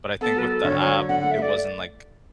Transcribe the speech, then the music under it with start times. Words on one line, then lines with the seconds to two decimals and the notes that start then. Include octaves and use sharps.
but I think with the app, it wasn't, like,
0.21 B3 A4
0.36 F#3 B4
0.43 A4
0.50 F#3
0.64 D3 C#5
0.80 F#3 C#5
0.94 F#3
1.09 D3 F#5
1.20 A3 F#5
1.31 E5
1.39 A3 D5